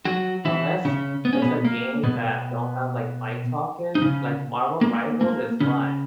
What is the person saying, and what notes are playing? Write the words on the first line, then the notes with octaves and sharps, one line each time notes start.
unless it's a game that don't have like mic talking, like Marvel Rivals is fun,
F#3 F#4
E3 E4
C#3 C#4
B3
C#4
B2 B3
A#3
B2 B3
D#4
C#3 C#4
A#3
A#3
C#3 C#4